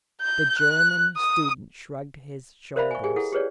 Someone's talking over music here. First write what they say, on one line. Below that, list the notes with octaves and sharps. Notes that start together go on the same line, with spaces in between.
The German student shrugged his shoulders.
G6
F#6
D#6
A#4 C5 D5 E5 F5 B5
G#5 C#6
G4 G#4 G5 G#5
E4 G#4 A4 F#5
G4 G#4 B4 C#5 D5